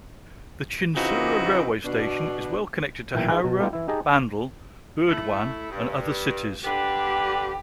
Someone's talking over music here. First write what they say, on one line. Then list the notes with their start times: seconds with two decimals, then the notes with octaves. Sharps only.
The Chinsurah railway station is well connected to Howrah, Bandel, Burdwan, and other cities.
0.95 C#3 E3 C4 D#4 F4 F#4
1.85 B2 D4
3.15 B1 A#2 E3 E4 G5
3.31 D#4 F4 G#4 B4
3.44 B2
3.59 G3 A3 B3 D#4 F4 G4
3.73 E3 E4
3.88 D#4 G4 G#4 D#5 A5 A#5
5.09 A3 E4
5.70 G2
6.65 D3 D4 G4 B4